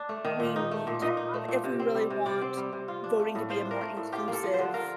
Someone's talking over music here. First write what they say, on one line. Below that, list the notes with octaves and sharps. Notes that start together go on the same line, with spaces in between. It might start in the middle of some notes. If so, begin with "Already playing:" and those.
we need to have if we really want voting to be a more inclusive
Already playing: D4
A3
D#3
A#2
D#4
A3
A#2
A#2 D#5
D#4
A3
A#2
C3
C4
G3
C3
C3 D5
C4
G3
C3
F4
D4
A3
A2
F4 C5
D4
A#4
A3
A2
F4 G4
A#3
A4
F3
D3 C5
F4 A#4